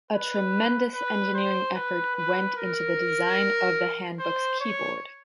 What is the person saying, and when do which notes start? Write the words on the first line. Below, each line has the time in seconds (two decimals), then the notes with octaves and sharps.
A tremendous engineering effort went into the design of the HandBook's keyboard.
0.11 B4
0.93 B4
1.34 C5
1.75 B4
2.16 B4
2.57 A#4
4.19 C5
4.60 C#5